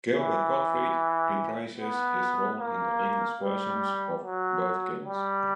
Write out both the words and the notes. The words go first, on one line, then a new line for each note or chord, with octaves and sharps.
Gilbert Gottfried reprises his role in the English versions of both games.
E3
B3
A#3
G3
F#3
G3